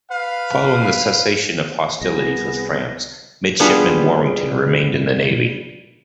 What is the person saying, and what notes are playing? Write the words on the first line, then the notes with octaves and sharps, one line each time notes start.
Following the cessation of hostilities with France, Midshipman Warrington remained in the Navy.
B4 F5
C2 B3 G#4 A#6
G3 B3 D4 F4 G#4